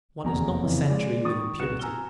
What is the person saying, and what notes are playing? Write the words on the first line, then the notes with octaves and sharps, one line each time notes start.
One is not a century with impunity.
F1 A#1 E2 F#3 G#5 A#5
F2 C#3 E3
G#3 D5
D#3 C#6 D#6 A6
C2 B3 F#4 F#6 C#7 E7
G#5 A#5 E6 F6 G7